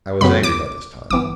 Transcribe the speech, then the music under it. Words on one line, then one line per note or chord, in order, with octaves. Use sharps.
I was angry by this time.
F#2 C#3 F#3 B3 B5
D6
G1 E3 B3 D6